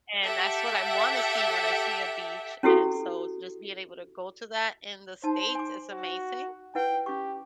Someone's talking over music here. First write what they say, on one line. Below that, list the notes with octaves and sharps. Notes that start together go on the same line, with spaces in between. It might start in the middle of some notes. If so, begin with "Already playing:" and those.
and that's what I wanna see when I see a beach, and so, just being able to go to that in the States is amazing,
G4 A4 E5 F#5
C#4 E4 F#4 G4 A4
D#4 C5 A5
G#5 D6
F#4
E4 B4 F#5 G5
C#4 G4 C#6